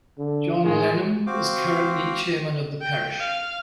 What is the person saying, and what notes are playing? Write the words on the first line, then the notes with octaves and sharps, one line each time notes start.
John Lanham is currently Chairman of the Parish.
D3
A2 D#3 G#3 G#4
C4 F#4 C5 F5 D6
G5
F5